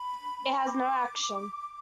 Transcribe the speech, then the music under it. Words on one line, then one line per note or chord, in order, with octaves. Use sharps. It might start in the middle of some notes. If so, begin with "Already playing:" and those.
It has no action.
Already playing: B5
D6